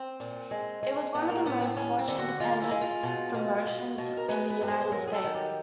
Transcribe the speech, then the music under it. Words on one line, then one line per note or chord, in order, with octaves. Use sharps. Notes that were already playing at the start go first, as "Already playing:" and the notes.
It was one of the most-watched independent promotions in the United States.
Already playing: C4
A#2
G#3
G#3
A2 B3
A#3
A2 B3
C4
D#2 C#4
C4
D3
F#4
G#3 F4
E4
G#3
F4
B2
B2
B2
B2
A#4
G#3 B4
B4
G2
C5
F#3 A#4
G#4
A4
D#3
G4